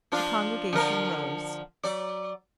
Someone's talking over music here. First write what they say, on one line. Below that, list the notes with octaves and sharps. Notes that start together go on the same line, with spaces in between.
The congregation rose.
F3 D4 F4
D3 F3 A#4
F#3 D5